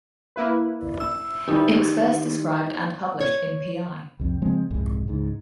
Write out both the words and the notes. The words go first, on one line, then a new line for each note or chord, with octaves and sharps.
It was first described and published in Pl.
A#3 E4 B4
E6
D#3 E3 G3 D#4 G4
C#5
C2 F2
C#3 F3 G#3 C4
F1 C2 G#2 G#3
C#2 G#2